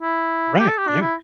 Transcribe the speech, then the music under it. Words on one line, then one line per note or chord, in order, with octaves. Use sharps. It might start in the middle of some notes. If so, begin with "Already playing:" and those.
right? Yeah,
E4
G4
A4
G4
D4
E4